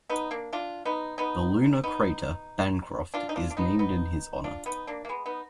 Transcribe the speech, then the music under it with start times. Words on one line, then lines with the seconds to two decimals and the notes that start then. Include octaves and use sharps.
The lunar crater Bancroft is named in his honor.
0.09 B3 D#4
0.31 A#3 D4
0.53 D4 F4
0.85 B3 D#4
1.18 B3 D#4
1.84 B3 D#4
3.14 D4 F4
3.29 D#4
3.36 D4 F4
3.50 D4
3.57 B3 D#4
3.79 B3 D#4
4.44 D4 F4
4.66 B3 D#4
4.87 A#3 D4
5.05 A#3
5.09 G#3 B3
5.26 B3 D#4